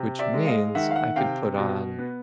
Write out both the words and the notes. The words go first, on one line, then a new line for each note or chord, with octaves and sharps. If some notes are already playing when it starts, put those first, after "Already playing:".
which means I can put on,
Already playing: C3
D5 E5
G#3
D#5 F5
D#3 E5 F#5
F5
E5 F#5
C3 F5 G5
B2
B3